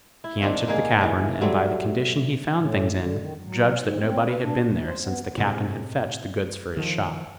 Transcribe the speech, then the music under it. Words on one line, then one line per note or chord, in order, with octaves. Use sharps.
He entered the cavern and by the condition he found things in, judged that nobody had been there since the captain had fetched the goods for his shop.
E4
D#3 C4 D4
G#2 A#3 D#4 G#4
C#3 E3
F#3 G3 A3 C4
A2
D3
D#3
F#3
G#2
C4
B4
D4
G#2
C5
B3
A2 C3 G#3
D#3 F3